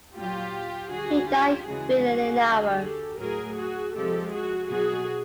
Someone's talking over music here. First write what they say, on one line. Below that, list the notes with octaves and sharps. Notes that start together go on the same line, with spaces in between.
He died within an hour.
A#2 F#3 F4 G4
D3 G3 F#4 G#4
F4 G4
C#3 E3 G#3 F#4 G#4
D3 F#3
G4 A4
A2 F#3 G#4 A#4
F#4 G#4
C3 F3 G#3 G4 A4
F#4 G#4
B2 F#3 F#4 G#4